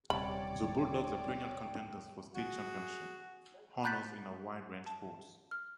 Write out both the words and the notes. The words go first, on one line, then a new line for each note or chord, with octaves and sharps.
The Bulldogs are perennial contenders for state championship honors in a wide range sports.
D#1 C3 G3 C#5 D5 G5 B5 D6
F#4 G#4
A#5 B5 F#6 G6 A6 B6
A5
F6